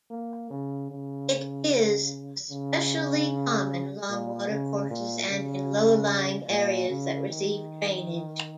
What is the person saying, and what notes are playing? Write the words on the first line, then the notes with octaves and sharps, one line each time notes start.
It is especially common along watercourses and in low-lying areas that receive drainage.
A#3
C#3
C#3
C#3
A#2
C#3
A#2
C#3
A#2
C#3
D#3